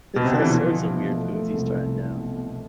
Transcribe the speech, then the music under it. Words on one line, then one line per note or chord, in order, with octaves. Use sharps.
it's all sorts of weird foods he's trying now.
B2
C3
D3
E3
B2 F3
E4
B2
A3
A3
C2
E4
A3
B2